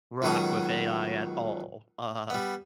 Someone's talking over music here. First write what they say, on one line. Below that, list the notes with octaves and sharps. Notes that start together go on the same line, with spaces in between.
rock with AI at all. Uh,
C#2 B2 D#3 F#3 A#5 D#6
G3 B3